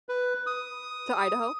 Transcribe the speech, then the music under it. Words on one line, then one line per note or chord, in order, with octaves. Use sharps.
To Idaho?
B4
D#6